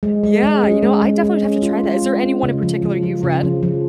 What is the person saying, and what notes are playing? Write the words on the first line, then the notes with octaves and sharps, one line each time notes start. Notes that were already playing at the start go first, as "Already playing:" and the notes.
Yeah. You know, I definitely would have to try that. Is there anyone in particular you've read
G#3
G#3
G#3
C#4
G#3
G#3
G#3
C#4
F4
F4
G#3
C#4
C#3
F3
F3
F3
C#3
F3
F3